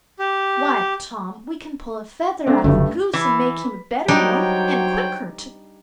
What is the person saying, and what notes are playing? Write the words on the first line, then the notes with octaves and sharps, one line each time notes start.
"Why, Tom, we can pull a feather out of a goose and make him a better one; and quicker, too."
G4
A3 C4 D4
F#1 D2 G2 A3
E3
F#3 G3 D4 D#4 C5 C#5 G5